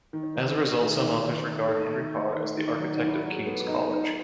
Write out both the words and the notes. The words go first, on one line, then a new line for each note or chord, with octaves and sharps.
As a result, some authors regard Henry Carr as the "architect of King's College".
D#3
D#3
D#3
A3 G#4
D#3
D#3
A3
D#3 A4
A3
A3
D#3
D#3
F#3
D#4
F#3 E4
F#3 F#4
G#4
B3 A4
D#4
D#4